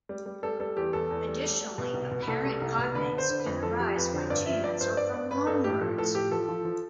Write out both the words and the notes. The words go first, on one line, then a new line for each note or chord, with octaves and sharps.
Additionally, apparent cognates can arise by chance or from loan words.
G3
G3
G3 A4
G3 A4
E2 G4
E2 A4
E2
G3
G3
G3
B2
C2
B2
B4
C2 A4
G3
C2
B2
D3 B4
D3
C5
D3
B4
F2
F3 A4
F3 G4
F2 B4
D3 C5
G2 D5
F3 E5
G2 D5
G2 C5
G2 D5
G2 D5
G2 B4
G2 A4
A2 G4
F3 A4
A2 A4
F3 G4
F3 A4
F3
F3